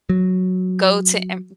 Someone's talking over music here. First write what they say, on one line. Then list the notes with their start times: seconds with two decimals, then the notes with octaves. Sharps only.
go to Em
0.09 F#3